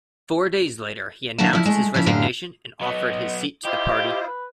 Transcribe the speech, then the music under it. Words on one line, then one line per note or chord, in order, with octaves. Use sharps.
Four days later he announced his resignation and offered his seat to the party.
D3 F#3 A#3 E4 A#4 A5
F3 E4
G#3 A3
C#3 F3 C#4 E4
F#2 A2 D3 G4 F5
F#3 B3 D#5
E4 F4 G4 C5 D#5
B4